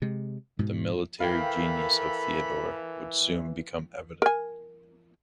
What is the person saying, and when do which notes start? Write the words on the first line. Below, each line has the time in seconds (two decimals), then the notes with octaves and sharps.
The military genius of Theodore would soon become evident.
0.02 C3 G#3
0.59 G#2 B2
1.20 E3 A4 A#4 F5 G5 B5
4.22 A#4 G#5